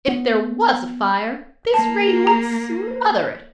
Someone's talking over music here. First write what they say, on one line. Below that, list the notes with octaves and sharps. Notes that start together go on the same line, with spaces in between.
If there was a fire, this rain would smother it.
B3
A#3 A5
A#5